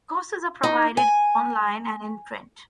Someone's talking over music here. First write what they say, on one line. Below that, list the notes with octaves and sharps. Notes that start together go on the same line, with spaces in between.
Courses are provided online and in print.
D#4
G#5